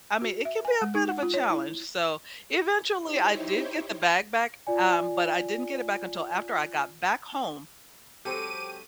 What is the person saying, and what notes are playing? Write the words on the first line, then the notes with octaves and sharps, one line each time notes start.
I mean, it can be a bit of a challenge, so, eventually, I did get the bag back, um, but I didn't get it back until after I got back home,
F#4
E5
G#5
G#3
D#4
F#5
F4
C#5
E4
D#4 E4 G4 C5 C#5
F4 D5 G#5
F#3 G#3 C4 G4 A4 D6 D#7